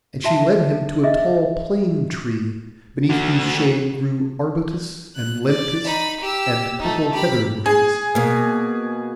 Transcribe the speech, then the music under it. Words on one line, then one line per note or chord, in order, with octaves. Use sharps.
And she led him to a tall plane-tree, beneath whose shade grew arbutus, and lentisk, and purple heather-bushes.
F#4 E5 A5
G#4 D#5 E5
D3 F#4
F#6
D5
D#4 B5
G4 E6
A3 D#4
G4 B5
G#4
B2 A#3